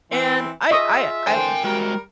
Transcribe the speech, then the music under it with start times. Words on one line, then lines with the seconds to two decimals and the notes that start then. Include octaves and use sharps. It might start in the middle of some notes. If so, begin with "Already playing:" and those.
And I I I
0.11 E3 C4
0.71 F4 G#4 D#5 E5 C#6 D#6
1.27 D3 E3 A#4 C5 G5 G#5
1.64 G3 G#3 F#4 A#4